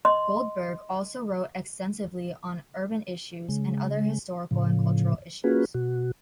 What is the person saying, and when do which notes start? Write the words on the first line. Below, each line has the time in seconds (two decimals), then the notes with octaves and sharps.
Goldberg also wrote extensively on urban issues and other historical and cultural issues.
0.05 D#5 C6
3.49 C#3 G#3
4.51 A2 C#3 F3
5.44 A#3 C#4 F4 F#4 G#4 B4
5.74 B2 F#4